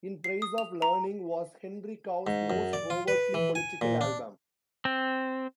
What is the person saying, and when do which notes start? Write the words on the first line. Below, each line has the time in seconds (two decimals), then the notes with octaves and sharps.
"In Praise of Learning" was Henry Cow's most overtly political album.
0.24 C7
0.42 D#6
0.58 F7
0.82 A#5
2.27 G#2
2.50 F#2
2.73 D5
2.90 F4
3.08 B4
3.34 E3
3.55 G#5
3.81 A#2
4.01 D4
4.85 C4